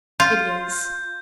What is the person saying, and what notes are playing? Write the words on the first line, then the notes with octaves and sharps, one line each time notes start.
"It is."
F4 G6